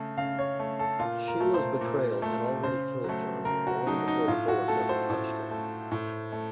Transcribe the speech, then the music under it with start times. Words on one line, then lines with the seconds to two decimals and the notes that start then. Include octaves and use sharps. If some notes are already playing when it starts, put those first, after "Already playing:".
Sheila's betrayal had already killed Johnny long before the bullets ever touched him.
Already playing: C#3 A3
0.17 C#3 F5
0.39 C#5
0.59 A3
0.79 A4
0.99 A#2 F4
1.28 A#4
1.40 A3
1.54 C5
1.81 A#2
2.22 A3
2.63 C#3 C5
3.04 F#3 A3
3.45 C#3 A#4
3.67 F#4
3.87 F#3 A3 D#4
4.08 D#4
4.28 A2 F4
4.48 F#4
4.68 A3 A4
4.89 C5
5.10 A2
5.51 A3
5.91 A2
6.32 A3